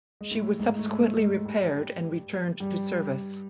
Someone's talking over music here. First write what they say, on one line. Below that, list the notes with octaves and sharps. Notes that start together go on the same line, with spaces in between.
She was subsequently repaired and returned to service.
G#3
A2 A3
G#2 G#3
A3
G#2 G#3
G#2 G#3
G2 G3
G2 G3